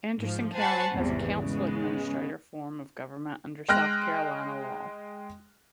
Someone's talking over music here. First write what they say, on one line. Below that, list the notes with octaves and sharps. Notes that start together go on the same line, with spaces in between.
Anderson County has a Council-Administrator form of government under South Carolina law.
G#2 F3
C5 F#5 G#5 A5 B5 C#6
G#1 E2 C3 E3 G3
C#3 G#3 B3
G#3 G5 F6 F#6 A#6